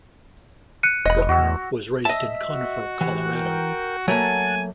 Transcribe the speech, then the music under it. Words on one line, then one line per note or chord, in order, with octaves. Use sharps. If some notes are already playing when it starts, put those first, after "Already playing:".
Bruckner was raised in Conifer, Colorado.
F#6 C#7 D#7
E1 D#5 B5
E2 F#4 E6
D#5 E5 A5
F#4
E3 G4 F#5
A#4 G5
F#3 A3 A#3 F#5 G#5 A5